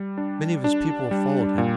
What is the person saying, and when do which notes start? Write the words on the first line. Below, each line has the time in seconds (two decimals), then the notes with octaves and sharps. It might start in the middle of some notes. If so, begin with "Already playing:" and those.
Many of his people have followed him.
Already playing: G3
0.18 D4
0.64 D4
1.11 G3
1.58 A#2